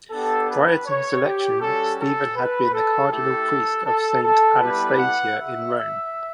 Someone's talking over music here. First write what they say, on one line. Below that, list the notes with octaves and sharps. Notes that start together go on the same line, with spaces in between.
Prior to his election, Stephen had been the cardinal-priest of Saint Anastasia in Rome.
B3 D4 G4 A4
B4
C#5
G4
G3 C#4 F#4 A4
A4
B4
A4
A3 E4 G4 A4
A4
A4
G3 B3 E4 G4 B4
F#5
E5